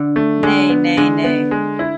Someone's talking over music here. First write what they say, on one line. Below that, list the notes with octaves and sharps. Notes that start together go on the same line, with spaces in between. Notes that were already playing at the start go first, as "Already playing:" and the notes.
Ne, ne, ne.
Already playing: D3
A3
D3 G#3
B3
D3 G#3
B3
G#3
E4